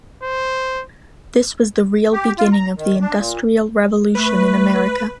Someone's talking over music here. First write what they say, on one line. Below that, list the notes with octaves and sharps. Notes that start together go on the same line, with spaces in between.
This was the real beginning of the Industrial Revolution in America.
C5
G4
F4
A#5
D#3
D4
A#2
A3 B4